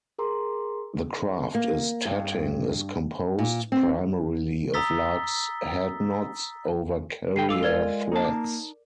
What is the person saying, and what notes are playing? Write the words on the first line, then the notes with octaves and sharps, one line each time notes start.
The craft of tatting is composed primarily of lark's head knots over carrier threads.
G#4 A#4 A#5 C6
A#3
G2
A#2
C4
A#5 D#6 E6 A6 B6 G7
G2 D3 B4 G5 C7
G#3 F4 A4 D6 E6
A#4 D5 G#6
A#3 D#4 A5
D6